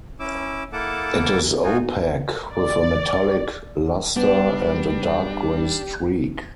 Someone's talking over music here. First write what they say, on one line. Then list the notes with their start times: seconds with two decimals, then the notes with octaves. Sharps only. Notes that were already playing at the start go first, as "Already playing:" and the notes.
It is opaque with a metallic luster and a dark gray streak.
0.20 C#4 E4 D6 E6
0.73 A#3 E4 A4 F#5 A5 D6
1.64 D#4 F4 F#4 G#5
2.54 D5
4.16 G3 B3 D4